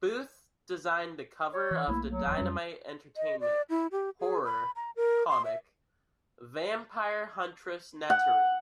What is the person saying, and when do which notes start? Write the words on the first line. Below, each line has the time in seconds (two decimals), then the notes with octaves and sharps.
Booth designed the cover of the Dynamite Entertainment horror comic Vampire Huntress Neteru.
1.53 C#5
1.71 E3
1.87 B1 A3 A#3 E4
2.07 F#3
2.25 F#1 E2
2.38 F2 G3 C#4
3.17 D#5
3.40 D5
3.70 E4
3.92 G4
4.20 G#4
4.45 B5
4.76 A#5
4.96 A#4
5.29 C6
5.45 E5
8.10 F#5